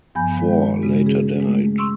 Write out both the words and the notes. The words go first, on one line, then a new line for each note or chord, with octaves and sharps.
Four later died.
G2 F3 B3 G#5 B5 G6
D#3 G#3
C#3 G#3 F#4
C#4 G#4
G#3 A3
C6 C#6 E6